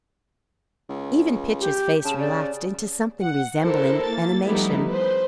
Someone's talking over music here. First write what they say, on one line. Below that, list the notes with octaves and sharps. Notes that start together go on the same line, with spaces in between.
Even Pitcher's face relaxed into something resembling animation.
C#2
G4
C#3 A5
D5
F#5
E4 A4 A#4 C5
A#3 A6
F3 G3 A3 B3 D#4 E4
B4 C5